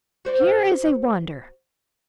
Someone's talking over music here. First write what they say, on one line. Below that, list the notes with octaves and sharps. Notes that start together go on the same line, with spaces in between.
"Here is a wonder!"
F#4 C5 D5